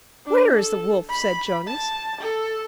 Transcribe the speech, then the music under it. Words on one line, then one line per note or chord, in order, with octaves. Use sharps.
'Where is the wolf?' said Jonas.
D4
A4
B5
A5
A4